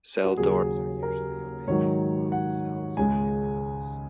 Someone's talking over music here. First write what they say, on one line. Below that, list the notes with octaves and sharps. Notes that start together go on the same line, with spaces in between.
Cell doors are usually opaque, while the cells may be windowless.
F#4
D#2 C#3 F#3 G#4
A#4
G#2 D#3 F#3 C#5
F#5
C#2 C#3 G#3 G#5